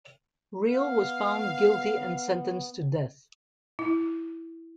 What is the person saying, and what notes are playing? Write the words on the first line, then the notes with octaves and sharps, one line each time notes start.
Riel was found guilty and sentenced to death.
B3 F5
E4